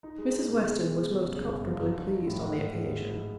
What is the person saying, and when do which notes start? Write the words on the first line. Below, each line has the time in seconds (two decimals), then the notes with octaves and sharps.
Mrs. Weston was most comfortably pleased on the occasion.
0.03 D#4
0.18 G#3
0.33 D#4
0.48 B2
0.63 G#3
0.78 G#3
0.93 G#3
1.08 B2
1.23 C#3
1.38 G1
1.53 F#2
1.68 F3
1.82 F#3
1.98 D#4
2.12 D#4
2.27 A2
2.42 G#2
2.57 G#2
2.72 G#3